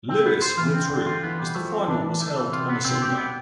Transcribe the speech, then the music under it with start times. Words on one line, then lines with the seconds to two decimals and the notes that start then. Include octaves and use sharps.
Lewis withdrew as the final was held on a Sunday.
0.09 C4
0.26 B3
0.42 C5
0.57 E3 F4
0.74 C4
0.90 D3 C4
1.06 F4
1.23 E3 B3
1.39 G3
1.55 F3 A3
1.72 C4
1.88 E3 D4
2.04 D4
2.20 A3
2.36 E3
2.53 C3 F4
2.69 B3
2.85 B2 C4
3.02 G4
3.18 B3